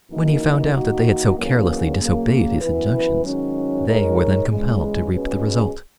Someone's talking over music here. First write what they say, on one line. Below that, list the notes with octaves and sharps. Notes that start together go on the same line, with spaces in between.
And when he found out that they had so carelessly disobeyed his injunctions, they were then compelled to reap the result.
F#2 E3 A#3 D#4 A#4
D#3 A#3 D#4 F#4
E2 D#3 F#3 A#3 C#4
C#3 F#3 A#3
F#2 E3 B3 E4 B4
G#2 D#3 F#3 C#4
G#3 D#4 A#4 C#5
E2 C#3 G#3
B2 G#3 C#4 G#4 B4